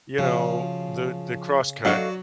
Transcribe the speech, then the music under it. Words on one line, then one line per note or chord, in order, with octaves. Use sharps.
you know, the the crosscut,
C#3 F3 F#4 G#4
F#3 F#4 A4 D5 D#5 F5 F#5